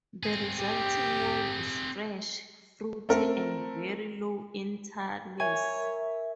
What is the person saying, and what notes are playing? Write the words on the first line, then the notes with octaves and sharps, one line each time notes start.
The resulting wine is fresh, fruity, and very low in tannins.
C4 G#4
G4
A3 C4 A#4
A#4 C#5 E5 G#5